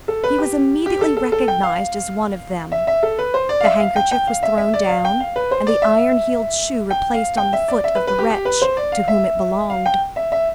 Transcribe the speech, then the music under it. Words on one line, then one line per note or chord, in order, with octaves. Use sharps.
He was immediately recognized as one of them; the handkerchief was thrown down, and the iron-heeled shoe replaced on the foot of the wretch to whom it belonged.
A4
B4
G4
G4
A4
A4
A4
G5
F5
E5
E5
A4
B4
C5
D5
F5
E5
F5
G5
G5
F5
E5
E5
D5
F5
G5
F5
B4
C5
D5
E5
G5
F5
G5
E5
D5
E5
B4
B4
G4
G4
B4
C5
D5
F5
E5
F5
G5
E5
E5